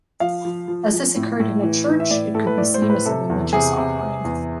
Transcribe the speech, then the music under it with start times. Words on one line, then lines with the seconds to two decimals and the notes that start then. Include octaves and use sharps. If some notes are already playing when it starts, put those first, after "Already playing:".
As this occurred in a church, it could be seen as a religious offering.
0.20 F3 F5
0.45 F3
0.68 F3
0.92 F3
1.16 A2
1.40 A2
1.63 E3
1.87 E3
2.00 E5
2.11 A2 D5
2.35 A2 A4
2.47 B4
2.58 A2 D5
2.74 C5
2.82 A2
2.90 B4
3.05 C3 A4
3.30 E2
3.53 C3 G#4
3.77 C3
4.00 C3
4.24 E2